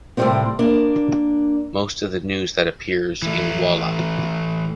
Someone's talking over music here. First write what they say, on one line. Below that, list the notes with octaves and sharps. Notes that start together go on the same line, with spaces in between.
Most of news that appears in Walla!
A2 C3 F3 G3 G#3 C4
A#3 D4
E3 A3